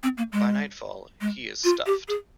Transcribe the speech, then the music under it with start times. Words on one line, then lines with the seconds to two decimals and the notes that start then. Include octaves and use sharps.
By nightfall, he is stuffed.
0.03 C4
0.17 A#3
0.32 G#3
1.21 G#3
1.64 F4
1.86 G4
2.08 G#4